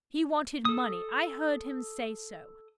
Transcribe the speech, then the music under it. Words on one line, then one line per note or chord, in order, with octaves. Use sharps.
He wanted money; I heard him say so.
A4 D#6